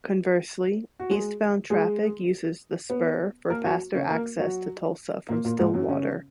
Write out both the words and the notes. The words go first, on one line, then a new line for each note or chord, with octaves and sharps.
Conversely, eastbound traffic uses the spur for faster access to Tulsa from Stillwater.
F#4
G#3 G#4
G#3 G#4
B3 B4
A#3 A#4
F#3 F#4
C#3 C#4
A#3 A#4
F#3 F#4
A#2 A#3
A#2 A#3
G#2 G#3
F#2 F#3
C#3 C#4